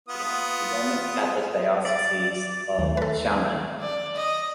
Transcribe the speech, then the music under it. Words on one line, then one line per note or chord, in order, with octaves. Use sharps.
It belongs to Roman Catholic Diocese of Xiamen.
B3 F4 D#6
D5
D#2 D#3 A3 G#4
A4 B4
D5
D#5